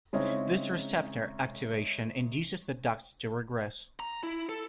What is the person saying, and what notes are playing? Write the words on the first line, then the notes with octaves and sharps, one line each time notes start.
This receptor activation induces the ducts to regress.
C#3 G#3 C4 C#4 D#4 E4
A#5
E4
A4